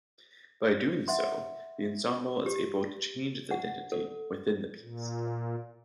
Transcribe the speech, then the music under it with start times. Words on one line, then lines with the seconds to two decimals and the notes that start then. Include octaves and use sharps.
By doing so the ensemble is able to change its identity within the piece.
1.08 E5 F#5 C6
2.46 G4
3.51 F#5
3.92 A4
4.81 A#2